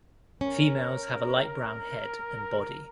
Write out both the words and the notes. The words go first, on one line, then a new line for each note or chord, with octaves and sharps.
Females have a light brown head and body.
C#4 A#4